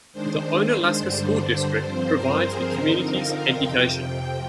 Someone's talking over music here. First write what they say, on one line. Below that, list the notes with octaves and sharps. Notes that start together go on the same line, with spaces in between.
The Onalaska School District provides the community's education.
D#3 G#3 D4 C5
G2 D3 G3 D4
G2 F3 C4 C5
A#4
G#4
D3 F3 C4 D#4 A#4
F5
F2 C3 F3 G5